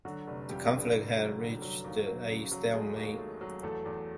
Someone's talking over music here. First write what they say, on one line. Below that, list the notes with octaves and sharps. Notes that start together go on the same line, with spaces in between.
The conflict had reached a stalemate.
D3 F#3 F#4
F1
F2 G3 G4
D3
F1
F#3
D3
F#3
D#2
F#3
C#3
F#3
G#3 A3 G#4
D#2
A3
F#3
E2 A3 A4
E2